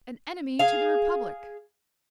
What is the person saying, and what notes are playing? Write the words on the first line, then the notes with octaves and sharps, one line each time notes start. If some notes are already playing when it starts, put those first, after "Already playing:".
"An enemy to the Republic!"
G#4 F5